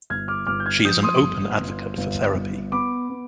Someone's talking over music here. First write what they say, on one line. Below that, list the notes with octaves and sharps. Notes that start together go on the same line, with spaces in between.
She is an open advocate for therapy.
G1 F6 G#6
D6 F6
G1 D6 F6
G6
F6 G#6
F3 D#6 G6
C6 D#6
G1
G1
G1
G1
B3 B5 D6
B3